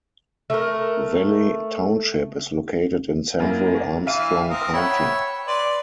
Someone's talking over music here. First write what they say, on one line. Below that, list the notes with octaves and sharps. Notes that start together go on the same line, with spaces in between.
Valley Township is located in central Armstrong County.
A3 A#4
F#2 A#3 E4
E3 E5 F5 D#7
C4 A#4 D#6
C#5 E5 F#5 G5 B5
B4 D5 C6